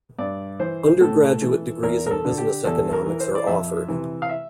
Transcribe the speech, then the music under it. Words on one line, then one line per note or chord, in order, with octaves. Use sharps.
Undergraduate degrees in business economics are offered.
G2 D5
E3 C5
A2 A4
E3
E2 A#4
A#4
A4
D3
G4
E2 A4
A#4
E3
C5
D5
F2 E5
C3 E3
F5
E5